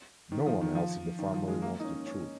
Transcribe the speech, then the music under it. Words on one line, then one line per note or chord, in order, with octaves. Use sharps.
No one else in the family wants the truth.
D#3
F3
D#3
F3
D#3
F3
G#3
A#3
D#4
C#4
C#4